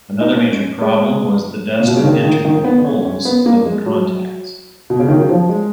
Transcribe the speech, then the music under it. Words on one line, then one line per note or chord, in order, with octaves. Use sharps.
Another major problem was the dust that entered the holes of the contacts.
D#4
C#4
C#4
G#3
A#2
B2
C#3
D#3
D#3
D#3
B3
C#4
C#4
B3
A#3
G#3
F#3
B2
C#3
D#3
F#3
F3
G#3